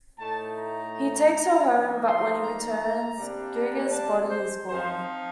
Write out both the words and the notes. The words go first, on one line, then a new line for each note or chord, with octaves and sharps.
He takes her home but when he returns, Geiger's body is gone.
A2 A3 D#4 A5
A#5
F3 A#3 D#4
C6
A#5
C3 G3 A#3 D4
A#5
A5
C5
F3 C4 D#4 C5